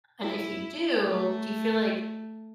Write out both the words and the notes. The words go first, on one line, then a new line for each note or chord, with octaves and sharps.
And if you do, do you feel like
E4
A3